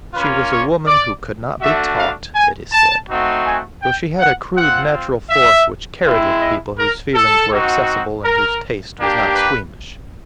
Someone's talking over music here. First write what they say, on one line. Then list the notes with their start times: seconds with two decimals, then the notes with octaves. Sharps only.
She was a woman who could not be taught, it is said, though she had a crude natural force which carried with people whose feelings were accessible and whose taste was not squeamish.
0.14 A#3 C#4 F4 B4
0.51 C#5
0.87 D5
1.61 A3 D4 F#4 E5
1.98 F5
2.35 G#5
2.72 A5
3.09 A3 C4 D#4 F#4
3.46 G#5
3.82 G5
4.20 F#5
4.56 C4 F4 F#5
5.30 E5
6.04 G#3 C4 E4
6.41 D#5
6.78 A#4
7.15 A4
7.51 C4 D#4 F#4
8.25 A#4
8.99 A#3 D4 G4
9.35 B4